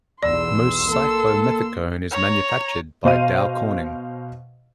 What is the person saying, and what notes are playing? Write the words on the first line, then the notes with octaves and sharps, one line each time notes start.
Most cyclomethicone is manufactured by Dow Corning.
B1 E2 D5 C6 E6
A#3 A4
C#5 A#5
B2 C5 D#5 F5 D#7